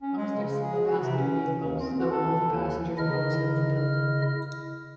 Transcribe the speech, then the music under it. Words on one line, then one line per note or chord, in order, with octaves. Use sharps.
Most are single-passenger vehicles, though multi-passenger models have been built.
C#4
G#3
C#3
G#4
F#4
C3
C#4
D#2
C4
F#4
A4
D#2
C#3 E4 D#5 F6